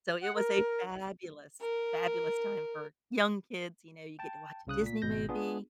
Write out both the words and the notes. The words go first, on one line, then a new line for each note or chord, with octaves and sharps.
So, it was a fabulous, fabulous time for young kids, you know, you get to watch a Disney movie
F#5
A#4
A#4
G5 A5
C2 C#3 D#6 F#6
A#2 B6
G#1 B2 G6 A#6
B3 D4 F4 G#4